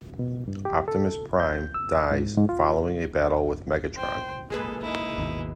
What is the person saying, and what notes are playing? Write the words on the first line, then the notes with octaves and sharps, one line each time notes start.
Optimus Prime dies following a battle with Megatron.
B2
G2
G4
A4
G6
E6
G#2
G#2
F4
C5 G5
G#3 A#3 G#4 A4 B4
D#4 E4
G#1 D#2 B2